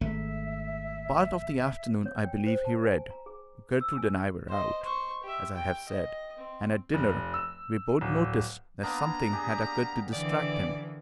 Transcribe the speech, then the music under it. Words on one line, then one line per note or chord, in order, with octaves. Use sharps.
Part of the afternoon I believe he read--Gertrude and I were out, as I have said, and at dinner we both noticed that something had occurred to distract him.
G#1 A3 E5
C#5
G5
C5
A5
G#5
A#5
G#4
E6
G#5
C5 D#5
C5 C#6
G4 E5
G5
D#5
C4
F1
E6
D1
A#3 B3 D4 A#5
G4 G#4
D3 E3 D5